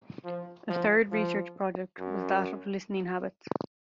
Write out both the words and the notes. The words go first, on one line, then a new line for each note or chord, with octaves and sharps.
A third research project was that of listening habits.
F3
F3
F3
F#2